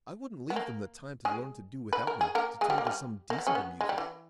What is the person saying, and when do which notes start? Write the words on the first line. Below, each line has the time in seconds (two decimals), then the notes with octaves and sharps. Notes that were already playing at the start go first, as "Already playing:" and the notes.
I wouldn't leave them the time to learn to do without me, to turn to some decent amusement.
0.50 B3
0.56 A#3
1.25 G#3 G#4
1.93 B4
2.07 A#4
2.21 G#4
2.35 A#3 A#4
2.61 G#3 G#4
2.70 G3 G4
2.78 A#3
2.87 G3
3.30 A#3
3.38 B3
3.47 C#3 C#4
3.55 B3
3.81 G#3
3.89 G3
3.98 E3